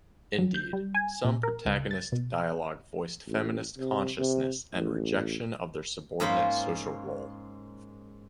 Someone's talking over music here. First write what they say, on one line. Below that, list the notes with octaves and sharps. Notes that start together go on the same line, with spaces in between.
Indeed, some protagonist dialogue voiced feminist consciousness and rejection of their subordinated social role.
F#3
G6
G3
G#5
A#2
A#4
C#2
A6
B2
A1
C3
C3
A1
G#2 A#3 C#4 F4 C5 B5